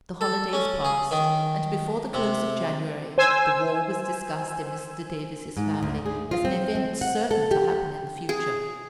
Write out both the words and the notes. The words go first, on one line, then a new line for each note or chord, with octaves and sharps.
The holidays passed, and before the close of January the war was discussed in Mr. Davis's family as an event certain to happen in the future.
A4
C#4
G#4
D#3
C3
C5 G#5 E6
G#2
D2
G#4
F4
C4
C4
F#5
A4
G4
G#4